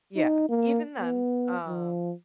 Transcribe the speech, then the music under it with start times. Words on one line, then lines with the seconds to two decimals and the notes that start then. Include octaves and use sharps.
yeah, even then, um
0.16 D#4
0.49 A#3
0.99 B3
1.67 F3